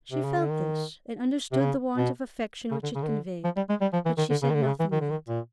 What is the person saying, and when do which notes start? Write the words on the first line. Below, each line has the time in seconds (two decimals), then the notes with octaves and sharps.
She felt this, and understood the want of affection which it conveyed; but she said nothing of it.
0.11 C3
0.24 C#3
0.37 D3
0.50 D#3
1.52 C3
1.60 C#3
1.97 B2
2.71 C#3
2.83 D3
2.95 C#3
3.03 D#3
3.08 D3
3.44 F3
3.57 G3
3.69 G#3
3.81 G3
3.93 F3
4.06 E3
4.18 D#3
4.30 D3
4.43 C#3
4.50 D#3
4.54 D3
4.63 C3
4.67 C#3
4.80 E3
4.92 D#3
5.01 D3
5.10 D#3
5.28 A#2